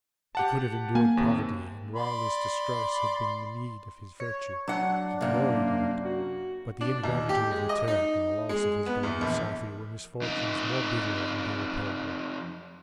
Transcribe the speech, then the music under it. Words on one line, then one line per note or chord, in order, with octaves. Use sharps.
He could have endured poverty, and while this distress had been the meed of his virtue, he gloried in it; but the ingratitude of the Turk and the loss of his beloved Safie were misfortunes more bitter and irreparable.
G4 F#5 A5
A#3 G#5
D#2 C3
D5 B5 C6
C#5
F#3 D4 F#5
F#2 C3 A#3
F#4
D4
D#2
G4
G#3
D#5
D#4
G#3
B3
E2
A#1
F2 D#4